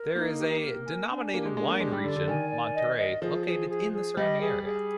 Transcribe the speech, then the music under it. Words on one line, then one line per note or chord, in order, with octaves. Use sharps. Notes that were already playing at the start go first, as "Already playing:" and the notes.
There is a denominated wine region-Monterrey-located in the surrounding area.
Already playing: A#4
A#3 D#4
G4
A#4
G#5
D4
A#3 G4
G#3
G#3 D4
A#3
G#3 G4
G3
D3 D5
D3
D#3 G#5
D5
D#5
D#5
F3 G#4
G#4
G#4
G#4
G3 D#5
G#4
G#4